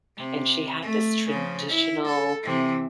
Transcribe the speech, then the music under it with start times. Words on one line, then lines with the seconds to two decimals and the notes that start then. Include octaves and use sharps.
and she had this traditional,
0.17 C3
0.82 A3
1.28 C#3 F3
1.69 E4
2.05 A4
2.43 C3 E3